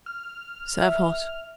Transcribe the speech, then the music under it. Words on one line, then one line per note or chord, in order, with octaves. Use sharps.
Serve hot.
F6
E5